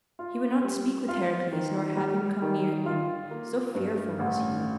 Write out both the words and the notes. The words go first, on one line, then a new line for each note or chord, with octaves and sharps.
He would not speak with Heracles nor have him come near him, so fearful was he.
F4
G3
F4
D#3
G3
D#3
F4
A#3
G2
A1